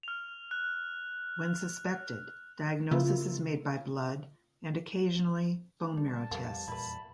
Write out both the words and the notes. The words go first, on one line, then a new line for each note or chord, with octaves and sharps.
When suspected, diagnosis is made by blood and, occasionally, bone marrow tests.
F6 F7
F#6
C#3 A#3 E4 F4
G3 A5
F2 G3 A#3 B3
E2 A#2 G3 E4 B4 B5